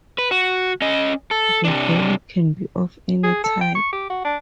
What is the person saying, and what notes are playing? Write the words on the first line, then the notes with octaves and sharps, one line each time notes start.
The value can be of any type.
B4
F#4
C#4 D#5
A4
C3 D4
G#4
A4
G5
C#6
G4
F#4
D4